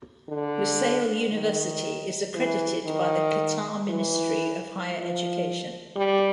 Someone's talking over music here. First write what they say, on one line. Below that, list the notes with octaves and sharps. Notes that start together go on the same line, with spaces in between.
Lusail University is accredited by the Qatar Ministry of Higher Education.
D3
D#3
E3
D#3
E3
F3
G3